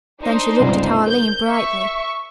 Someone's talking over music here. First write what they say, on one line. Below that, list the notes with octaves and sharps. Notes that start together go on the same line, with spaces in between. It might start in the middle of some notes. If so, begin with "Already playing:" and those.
Then she looked at Arline brightly.
D4 D#4 C5
G1 C#2 G2
A#4 C5 G6
E5 C#6